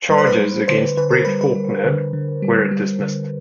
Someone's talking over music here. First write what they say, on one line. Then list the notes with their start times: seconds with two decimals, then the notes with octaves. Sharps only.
Charges against Bert Faulkner were dismissed.
0.10 G3 B4
0.18 C5
0.27 B4
0.39 G3
0.68 D3 C5
0.97 D3 B4
1.11 A#4
1.25 G3 B4
1.41 B4
1.55 G3
1.85 D3
2.13 D3
2.42 G3
2.71 G3
3.00 D3